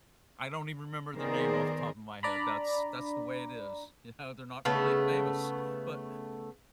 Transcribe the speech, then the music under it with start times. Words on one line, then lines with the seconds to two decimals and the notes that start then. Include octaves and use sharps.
I don't even remember their name off the top of my head, that's that's the way it is, yeah, they're not really famous, but
1.17 D#3 B3 G#4 A#4 C5 D5
2.23 D4 D5 A#5 B5
4.65 C#3 A3 B3